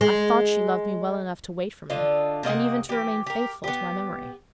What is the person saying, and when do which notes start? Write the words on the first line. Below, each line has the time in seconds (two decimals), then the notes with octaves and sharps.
I thought she loved me well enough to wait for me, and even to remain faithful to my memory.
0.01 G#3
1.90 D3 F4 D#5
2.43 C3 A#3 D#5 F#5
2.89 E3 G4
3.26 G4 A#4
3.64 B3 G4